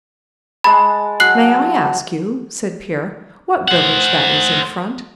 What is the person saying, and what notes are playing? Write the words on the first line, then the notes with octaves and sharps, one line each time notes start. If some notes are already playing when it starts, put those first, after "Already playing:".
"May I ask you," said Pierre, "what village that is in front?"
G#3 A5 B5
F#3 F#6 C7 F#7
C5 F#5